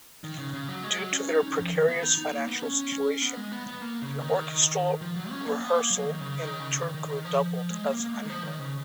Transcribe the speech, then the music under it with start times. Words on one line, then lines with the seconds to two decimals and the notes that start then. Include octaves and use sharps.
Due to their precarious financial situation, an orchestral rehearsal in Turku doubled as honeymoon.
0.24 D#3
0.38 C#3
0.54 C#3
0.68 F#3
0.83 G#3
0.98 F#3
1.13 C#4
1.28 D#4
1.43 C#4
1.53 D#3
1.58 F3
1.73 D#3
1.88 B3
2.02 D#4
2.18 D#4
2.33 A#3
2.47 B3
2.63 C#4
2.92 C#4
3.22 B3
3.37 G#3
3.52 B3
3.67 B3
3.81 A#3
4.02 C#3
4.21 D#3
5.01 F3
5.16 F#3
5.31 C#4
5.46 A#3
5.60 B3
5.75 A#3
5.90 F#3
6.05 D#3
6.20 C#3
6.40 D#3
6.60 C#3
6.79 D#3
6.95 D#3
7.09 D#3
7.25 F3
7.40 F3
7.55 F3
7.70 G#3
7.84 A#3
8.00 A#3
8.14 G#3
8.25 D#3
8.30 F3
8.44 D#3
8.59 C#3